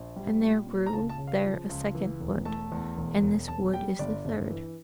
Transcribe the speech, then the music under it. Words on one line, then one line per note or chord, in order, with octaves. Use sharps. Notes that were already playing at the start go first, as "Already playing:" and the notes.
And there grew there a second wood, and this wood is the third.
Already playing: A#1
G3
A#2
A#2
A#5
C#2 A5
A5
C#3
F5
F3
C#2
E3
E1
A3 A5
E2
E1
E1
E1 A5
G3 G5
G1 D5
G1
E3